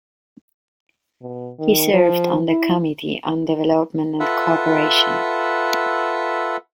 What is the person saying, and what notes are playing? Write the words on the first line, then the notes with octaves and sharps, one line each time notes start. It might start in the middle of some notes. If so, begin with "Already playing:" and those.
He served on the Committee on Development and Cooperation.
B2
D#3
F3
E4
F4 A4 B4 E5 F#5